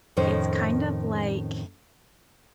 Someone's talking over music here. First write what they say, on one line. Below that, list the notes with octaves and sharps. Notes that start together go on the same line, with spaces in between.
It's kind of like,
F2 A2 D#3 C#4 C5